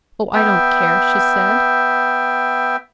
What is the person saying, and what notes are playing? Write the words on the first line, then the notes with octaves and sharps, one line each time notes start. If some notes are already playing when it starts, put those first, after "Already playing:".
"Oh, I don't care!" she said.
B3 E5 G5